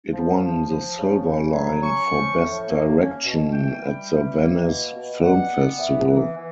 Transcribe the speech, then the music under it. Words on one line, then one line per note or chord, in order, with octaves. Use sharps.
It won the Silver Lion for Best Direction at the Venice Film Festival.
F3
F3
F3
C#3
C#3
F#3
C#4 C#6
F3
A2
A#3
C#4
B2
E3 G5
G3
E3
A#3
B2
B2
G3 F#5
B3
E3
E3
E3